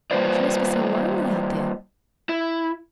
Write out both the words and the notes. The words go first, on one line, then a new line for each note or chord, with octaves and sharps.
She must be so lonely out there.
G3 A#3 F4 B4 C5 D5
E4